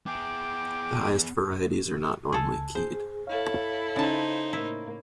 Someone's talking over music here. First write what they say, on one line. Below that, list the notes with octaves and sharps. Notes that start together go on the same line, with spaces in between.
The highest varieties are not normally keyed.
B3 G#4 G5 D6
C#2 G#4 A4
G#4 C5
E4 A4 C#5 F5
C#3 D#4 C5 A5
A2 A#3 E4